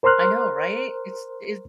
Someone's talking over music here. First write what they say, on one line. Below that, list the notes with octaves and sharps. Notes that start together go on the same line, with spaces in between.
I know, right? It's it's
A#4 C5 A#5 C6 F6 F#6